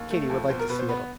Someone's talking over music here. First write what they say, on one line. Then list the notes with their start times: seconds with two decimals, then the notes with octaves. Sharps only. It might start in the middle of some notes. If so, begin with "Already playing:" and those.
Katy would like to see Italy.
Already playing: D#2
0.10 A3
0.30 F2
0.49 B2 C5
0.59 A#4
0.69 B2 B4
0.79 C5
0.89 B3 B4